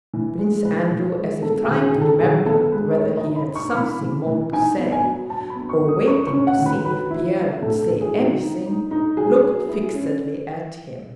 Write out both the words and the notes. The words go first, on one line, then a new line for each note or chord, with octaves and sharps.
Prince Andrew, as if trying to remember whether he had something more to say, or waiting to see if Pierre would say anything, looked fixedly at him.
E3
G#3
E3 B4
E3
G#3
B3 A4
G#4
D#3
G#4
D#3
A4
D#3 G#4
B3 A4
G#3 B4
A3 C#5
D#5
D#4
B5
D#4
C#6
E3 B5
E3
E3
D#4 G#5
B3
G#5
F#3
F#3 A5
B5
B3
C#6
F#3
D#6
E4 C#6
C#6
C#4
F#5
D#3
B4
F#3 B4
E4
E4
A2 A4
A4
A2
G#4
D#4
F#4
D#4
D#4
D#4
F#3 G#4
F#3
E4
C#4